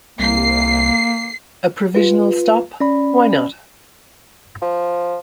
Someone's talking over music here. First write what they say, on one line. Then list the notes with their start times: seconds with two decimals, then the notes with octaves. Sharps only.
A provisional stop, why not?
0.19 C2 A#3 C7
1.95 F4 B4
2.80 C#4 D5 B5
4.62 F3